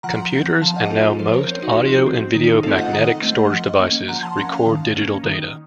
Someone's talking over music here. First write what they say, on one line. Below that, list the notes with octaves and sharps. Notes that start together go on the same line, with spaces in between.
Computers and now most audio and video magnetic storage devices record digital data.
F3 F#5 A#5
C4
F3 F5 A5
A5
D#5 F#5
C4 F4 A4
F4 A4
F3 A4 C5
A#4 C#5
C4
D#4 F#4
F3
C4
D#3 D#4
D#4
A3 C4 F4 A4
D#5 F#5
D#3
A3 C4
F3
A#3 C#4
F3 F#5 A#5
A5 C6
A#3 C#4 F#5 A#5
F5 A5
D#3
A#3 C#4
D#3